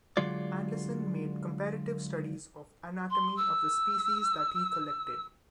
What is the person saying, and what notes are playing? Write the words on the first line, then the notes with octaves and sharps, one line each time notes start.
Anderson made comparative studies of anatomy of the species that he collected.
D3 F#3 G#3 F4 D5
C6
E6